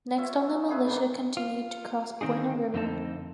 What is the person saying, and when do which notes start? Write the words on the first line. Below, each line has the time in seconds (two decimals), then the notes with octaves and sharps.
Next on the militia continued to cross Bueno River.
0.18 F4 C#5 E5
0.68 C4 E4 G#4 B4
0.86 G#2 D#3 A#3
1.37 F4
2.21 D3 D#3 C4 D#4 G#4
2.74 F2 D3 C4 D#4 A5